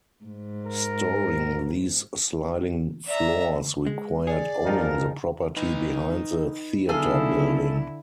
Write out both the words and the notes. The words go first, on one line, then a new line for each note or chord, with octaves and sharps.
Storing these sliding floors required owning the property behind the theater building.
G#2
A#4
D5 E5 A#5
G#3
G#4 C#5 D5
F2 D#4 F4 A#4
D#4 B4
B1 D3 E4 G#4 A4 F5